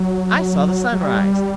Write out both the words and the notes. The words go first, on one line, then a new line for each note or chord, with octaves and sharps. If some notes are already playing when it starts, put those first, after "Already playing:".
I saw the sun rise.
Already playing: F#3
F#3
G3